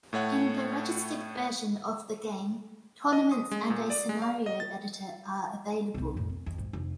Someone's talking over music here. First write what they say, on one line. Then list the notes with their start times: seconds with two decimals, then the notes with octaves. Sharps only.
In the registered version of the game tournaments and a scenario editor are available.
0.13 A2 A3 C#5 F#5
3.13 D#5
3.32 D#6
3.51 G#3
3.70 A#2
3.90 D5
4.09 G#3
4.22 F5
4.46 D#5
4.60 A6
5.94 C2 C4
6.13 F2 A2
6.29 C4
6.46 F2
6.58 G#2
6.73 F1